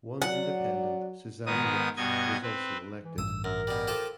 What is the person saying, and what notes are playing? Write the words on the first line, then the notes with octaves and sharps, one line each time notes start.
One independent Susannah Whipps was also elected.
F#3 D5 F#5
G#2 D#3 B3 D#4 D#6
G2 B2 B3 D#5 G#6
C4 B4
E3
A1 G2 D#6 E6
F#2 A#4
B2 G3
F3 G4 A4